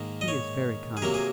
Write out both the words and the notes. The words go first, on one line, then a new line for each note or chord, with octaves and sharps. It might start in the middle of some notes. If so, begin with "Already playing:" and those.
"He is very kind."
Already playing: G#2 D#3 A#3
D#5
C#5
G#4
C3 F#3 A#3 A#4
G#4